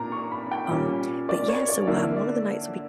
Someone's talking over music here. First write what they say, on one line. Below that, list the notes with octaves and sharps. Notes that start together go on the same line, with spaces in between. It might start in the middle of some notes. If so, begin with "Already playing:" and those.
Um, but yeah, so we'll have one of the nights will be
Already playing: A#2 A#3 D4 A#5
C#6
B5
G5
A#2 G3 C#4
D5
C#5
D5
D3 A#3 E4
D5